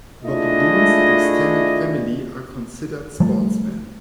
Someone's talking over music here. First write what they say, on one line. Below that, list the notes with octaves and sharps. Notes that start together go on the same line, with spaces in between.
Bob Boone's extended family are considered sportsmen.
A3 D4 E4 F4 G#4 D#5
F3 G3 A3